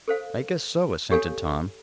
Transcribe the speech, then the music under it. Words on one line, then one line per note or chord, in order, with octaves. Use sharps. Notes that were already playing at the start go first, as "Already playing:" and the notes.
"I guess so," assented Tom.
A4 C5 F5
G4 A4 C#5 F5 G#5